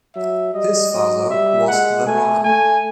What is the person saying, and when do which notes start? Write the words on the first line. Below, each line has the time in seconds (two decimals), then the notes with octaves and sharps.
His father was the Ran.
0.16 F#3 E5
0.54 G3 D#5
0.91 F#3 D#5
1.30 G3 E5
1.68 G#3 F#5
2.07 A3 G#5
2.44 A3 G#5